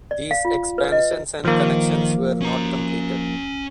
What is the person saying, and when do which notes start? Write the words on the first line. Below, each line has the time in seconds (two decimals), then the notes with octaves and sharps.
These expansions and connections were not completed.
0.11 D5
0.31 F5
0.45 F4
0.78 B4
0.92 D#5
1.45 D#3 F3 A#3
2.42 C#4 A#5